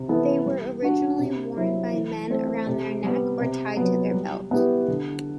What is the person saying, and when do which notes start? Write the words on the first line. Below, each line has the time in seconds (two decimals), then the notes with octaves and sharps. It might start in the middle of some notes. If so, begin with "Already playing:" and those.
They were originally worn by men around their neck or tied to their belt.
Already playing: C3
0.08 E3 B3 E4 A4
0.45 G3
0.82 D4 F#4
1.19 C3
1.56 F#3 C4 E4
1.93 E3
2.30 A3 C4
2.67 C3
3.04 G3 B3
3.40 C3
3.77 F#3 B3
4.14 G3
4.51 B3 E4 G4
4.88 D3